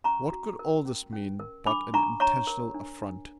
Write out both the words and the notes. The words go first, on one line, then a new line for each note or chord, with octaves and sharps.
What could all this mean but an intentional affront?
C#4 A#5 C#6
F#4
A#4
C#4
C#4
A#4
D4 B5 D6
D4 A#5 C#6
C#5 A#5 C#6
A#4
D4
D4